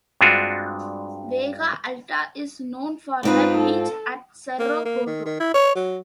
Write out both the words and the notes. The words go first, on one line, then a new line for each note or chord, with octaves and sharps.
Vega Alta is known for the beach at Cerro Gordo.
G2 G#3 C4 D4 F4 F#4
G#2 C4 D#4 F4 B4
A4
A#3
A#3
D#3
D#3
E4
C#5
F#3